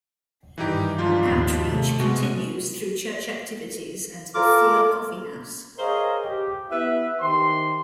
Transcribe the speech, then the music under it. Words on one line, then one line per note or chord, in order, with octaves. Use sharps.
Outreach continues through church activities and the Fuller Coffee House.
G2 D#3 E3 D#4 G4
G#2 F3 D4 F4
D#2 A2
C3 A3
B2 G#3 F#4
F4 A4 A#4 D6
G#4 A#4 C5 C#5 D#5 F5
G4
B3 E4 B4 E5
D#3 G4 C5 C6